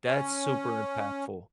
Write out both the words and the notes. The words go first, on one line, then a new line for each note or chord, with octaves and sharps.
that's super impactful.
C#4